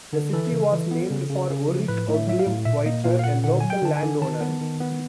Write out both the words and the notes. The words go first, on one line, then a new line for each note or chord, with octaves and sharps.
The city was named for Oric Ogilvie Whited, a local landowner.
D3
E3 A4
C#3
E3
B3
C#3
C#3
C#3
F3
A2 B4
A2
E5
F#3 E5
F5
A2
A#2 E5
A#3 D#5
A#2 F5
F5
A#2 F#5
D3 F#5
F#3 G#5
G5
D3 A5
G#5
D3
D#3 A5
B3
D#3
B3